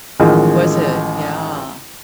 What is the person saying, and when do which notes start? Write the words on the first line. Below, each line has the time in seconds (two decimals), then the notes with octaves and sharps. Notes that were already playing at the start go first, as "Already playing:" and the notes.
Was it, yeah,
0.20 A1 D#3 F3 G#3